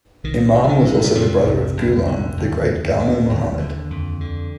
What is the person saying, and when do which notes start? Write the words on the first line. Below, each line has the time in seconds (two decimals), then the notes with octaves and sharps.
Imam was also the brother of Ghulam "the great Gama" Muhammad.
0.24 C2 D#3
0.55 C3
0.64 F3
0.69 D#3
0.85 C3
1.04 G3
1.15 F2 C3 F3
1.45 C2
1.77 C2
2.07 D3
2.37 D#2
2.67 D3
2.99 D#2 D#3
3.29 D#2
3.59 D#2 D3
3.90 F2
4.21 D3